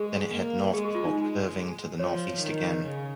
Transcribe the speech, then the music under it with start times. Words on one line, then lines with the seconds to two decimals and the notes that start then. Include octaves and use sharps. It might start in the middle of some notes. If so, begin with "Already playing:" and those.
Then, it head north before curving to the northeast again.
Already playing: G#3 G#4
0.33 A#3
0.73 G#3 G#4
0.85 G#4
0.95 F4
1.05 D#4
1.16 G#3
1.99 F3 C#5
2.41 D#3
2.83 C#3